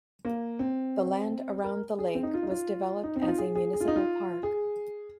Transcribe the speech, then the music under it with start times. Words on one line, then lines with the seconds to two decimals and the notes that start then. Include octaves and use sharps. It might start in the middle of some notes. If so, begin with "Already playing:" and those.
The land around the lake was developed as a municipal park.
0.25 A#3
0.59 C4
1.64 A#4
1.99 G#4
2.15 C4
2.23 D#4
2.34 F4
2.43 D#4
2.50 F4
3.03 D#4
3.16 C4
3.22 D#4
3.27 F4
3.38 G#4
3.55 G#4
3.73 G#4
3.80 F4
3.88 D#4
3.96 F4
4.43 G#4